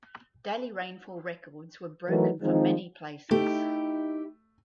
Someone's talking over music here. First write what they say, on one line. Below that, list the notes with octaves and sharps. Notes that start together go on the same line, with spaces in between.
Daily rainfall records were broken for many places.
E3 F#3 A3 D#4 A#4 B4
D#3 F3 G#3 C4 D#4
A3 D#4 E4 G4